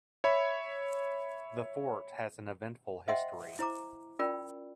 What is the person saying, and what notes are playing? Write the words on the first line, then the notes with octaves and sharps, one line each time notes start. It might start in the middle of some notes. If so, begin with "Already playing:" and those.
The fort has an eventful history.
C#5 E5 B5
C5 D#5 E5 F#5 G5 C6
E4 C5 A#5 D6
C#4 F4 A#4 D5 G5 B5